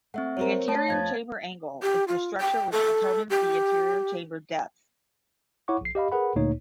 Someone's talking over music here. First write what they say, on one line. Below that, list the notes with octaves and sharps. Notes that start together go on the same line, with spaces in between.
The anterior chamber angle is the structure which determines the anterior chamber depth.
A3 C4 E5 F#5
F#3 C4 A#4 C#5
A3 C#5 A5
F2 F3 B3 F5 G#6 A6
G4
F4
G5
A4
G4
E4 C#5 F#5 C#6 D6
A#1 C7
G4 D#5 F5 B5
G#4 A#4 B4 F#5 B5
D2 A#2 A#3 D#4 C#5